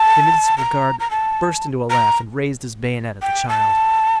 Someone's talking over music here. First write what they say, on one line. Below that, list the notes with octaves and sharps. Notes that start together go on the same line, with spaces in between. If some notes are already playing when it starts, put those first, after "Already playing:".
The municipal guard burst into a laugh and raised his bayonet at the child.
Already playing: A5
A#5
A#5
A5
A#5
G5
A5